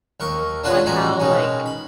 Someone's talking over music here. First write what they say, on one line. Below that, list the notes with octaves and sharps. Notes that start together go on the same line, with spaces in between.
on how like,
D#2 A#4 C#6
D4 F4 F#4 B4 C#5
A1 G#3 F#4 G#5 A#5
B2 D#3 G#3 C#4
B5